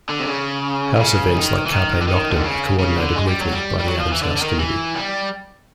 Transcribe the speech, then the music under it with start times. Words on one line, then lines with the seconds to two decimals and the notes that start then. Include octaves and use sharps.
House events like Carpe Noctem are coordinated weekly by the Adams House Committee.
0.10 D3
0.20 C3
0.28 C#3
0.96 C3
0.99 C#3
1.35 D#3
1.66 E3
1.72 D#3
2.01 D3
2.08 D#3
2.31 D3
2.44 C#3
2.79 C#3
2.98 D3
3.16 G#3
3.28 G3
3.41 F#3
3.52 G3
3.79 G3
3.87 F#3
3.99 F3
4.12 E3
4.23 D3
4.36 D3
4.42 D#3
4.59 E3
4.95 G3